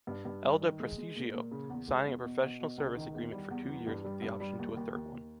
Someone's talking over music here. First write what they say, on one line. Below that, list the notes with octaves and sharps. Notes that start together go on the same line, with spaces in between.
Elda Prestigio, signing a professional service agreement for two years with the option to a third one.
G2
G2
G3
D#3
G#3
G#3
A#2
A#2
C#3
E2
G#3
E2
B2
B2
B2
C#2
D#3
E2
G3
E2
E3
G2
G3
G2
G3
D#2
D#2
D#2
D#2